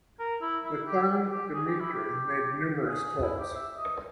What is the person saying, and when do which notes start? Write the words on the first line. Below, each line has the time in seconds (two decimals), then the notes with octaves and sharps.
The clown Dimitri made numerous tours.
0.20 A#4
0.42 E4
0.64 E4
0.87 G4
1.31 G4
1.54 G#4
1.67 G4
1.80 E4
1.93 G4
2.88 G#4
3.05 G#4
3.22 E4
3.39 G4
3.55 E5
3.77 D#5